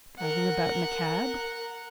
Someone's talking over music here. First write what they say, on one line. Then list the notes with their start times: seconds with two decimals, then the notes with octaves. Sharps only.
Driving about in a cab?
0.19 A#4 F#5